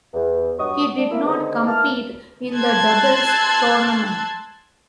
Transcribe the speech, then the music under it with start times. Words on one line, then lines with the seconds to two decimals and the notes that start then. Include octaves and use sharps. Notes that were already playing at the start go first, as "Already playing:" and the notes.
He did not compete in the doubles tournament.
0.13 E2
0.58 G2 F#3 F#5 C#6 D#6
0.97 D4
1.11 A#3 E4
1.25 D3 D#3 G#3 B3 C4 D#4
1.66 A#3 E4 A5 F6
2.56 A5 C6 E6 F#6 G#6 A6